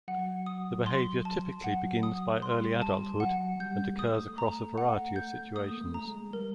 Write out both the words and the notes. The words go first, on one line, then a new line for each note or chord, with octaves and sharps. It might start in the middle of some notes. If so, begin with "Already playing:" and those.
The behavior typically begins by early adulthood, and occurs across a variety of situations.
F#3 F#5
D#6
C6
A5
F#3 F#5
D#6
G3 C6
A5
F#3 F#5
G3 G6
G#3
A3 D#6
A#5
F#5
G6
A3 D#6
A#3
A3
A#5
G#3
G3 A#4